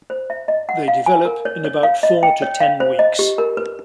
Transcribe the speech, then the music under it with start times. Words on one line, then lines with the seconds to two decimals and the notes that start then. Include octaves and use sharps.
They develop in about four to ten weeks.
0.10 C5
0.30 E5
0.48 D#5
0.69 F#5
0.88 F5
1.06 G#5
1.25 A#4
1.45 C#5
1.65 C#5
1.83 F5
2.03 D#5
2.23 G5
2.42 C#5
2.60 F5
2.80 C5
2.99 D#5
3.19 G4
3.38 A#4
3.57 B4